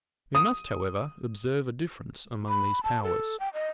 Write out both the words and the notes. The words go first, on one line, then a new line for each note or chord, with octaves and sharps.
We must, however, observe a difference among these powers.
D#6
B5
A5
A4
G5
D#5